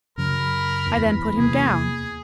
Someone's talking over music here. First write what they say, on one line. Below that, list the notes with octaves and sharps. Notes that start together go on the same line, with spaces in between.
I then put him down.
F#2 C#3 F#3 A#4 B5
E2
D#2 C3 A#3 G#4